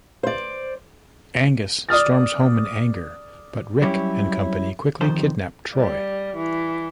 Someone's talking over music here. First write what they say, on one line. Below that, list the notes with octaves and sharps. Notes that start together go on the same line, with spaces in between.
Angus storms home in anger, but Rick and company quickly kidnap Troy.
C5 D5
D5 D#6 F6 A6
F#3 G3 C#4 E4 G4
F2 D#3 F3 C5
G3
E3